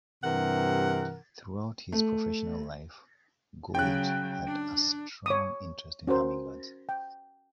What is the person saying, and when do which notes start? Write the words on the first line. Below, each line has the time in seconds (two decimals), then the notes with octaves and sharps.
Throughout his professional life Gould had a strong interest in hummingbirds.
0.24 G2 C3 E3 A#4 F#5
1.92 A3
3.75 C#3 F#3 G5 F#6
4.47 D4
5.26 C#5 D6 D#6
6.07 C#4 F#4 A#4 C5
6.89 G5